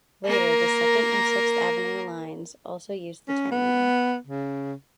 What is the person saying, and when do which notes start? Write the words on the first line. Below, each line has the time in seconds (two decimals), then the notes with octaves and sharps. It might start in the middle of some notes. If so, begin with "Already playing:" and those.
Later the Second and Sixth Avenue Lines also used the terminal.
0.25 A#3 A#4
3.28 C#4
3.52 B3
4.27 C#3